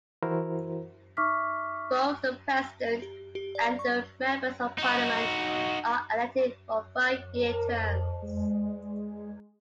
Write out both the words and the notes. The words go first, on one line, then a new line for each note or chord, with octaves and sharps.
Both the president and the members of Parliament are elected for five-year terms.
E3 E4 F#4 A#4 C5
D#4 E5 C#6 D6 F6 B6
G4
G4
D5
C#6
D#4 F#4
A#4
G#3